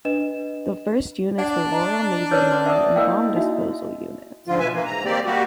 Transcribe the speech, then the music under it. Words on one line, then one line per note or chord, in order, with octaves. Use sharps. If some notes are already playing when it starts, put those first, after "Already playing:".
The first units were Royal Navy Mine and Bomb Disposal Units.
D4 B4 D#5 E7
D4 D5 F#5
D#5 A#5
C#4 A#4 B4 C#5 D5 G6
A#4 D5 E5 F#5 D#6
A#3 E4 A#4 D#5 F5 G5
D#4 F#4 E5
G#2 D3 F3 F4
B2 B4 E5 G#5
E3 A#3
G#2 A#5
D#3 A#3 C4 G4 D5
G3 A#3 F#4 G4